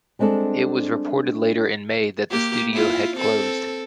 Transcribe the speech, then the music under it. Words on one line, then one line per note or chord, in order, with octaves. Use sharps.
It was reported later in May that the studio had closed.
G3 G#3 C4 D4 A4
A#3 G4
E4 F4
C4 A4